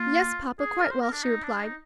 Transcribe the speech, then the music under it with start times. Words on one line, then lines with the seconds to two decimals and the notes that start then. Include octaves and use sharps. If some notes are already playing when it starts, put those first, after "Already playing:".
"Yes, papa, quite well," she replied.
Already playing: A#3 F4
0.59 G#4
0.81 A#4
0.91 C5
1.02 A#4
1.12 D4
1.23 D#4
1.43 D4
1.64 D#4